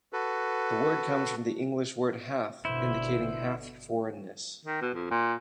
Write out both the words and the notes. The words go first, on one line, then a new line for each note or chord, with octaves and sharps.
The word comes from the English word "half" indicating half foreign-ness.
F#4 A4 B4
G1 B2 D3 E4 C5
D#3
B2
F2
A#2